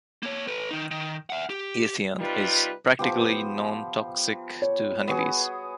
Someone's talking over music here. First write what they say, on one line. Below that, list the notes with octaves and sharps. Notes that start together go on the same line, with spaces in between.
Ethion is practically nontoxic to honeybees.
A#3 C#5
A4 B4
D#3 D#4
D#3
E5 F#5
G4
C3 G3 D#4 F4 B4
F3 B3 G4
C#5
B3 F#4 G#4